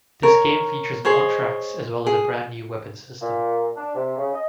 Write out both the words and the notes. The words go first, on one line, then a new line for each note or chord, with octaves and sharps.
This game features more tracks as well as a brand new weapon system.
A#4 C#5
G#4 C5 C#5 D#5
G#4
A#2
D4
C3
C#3
D#5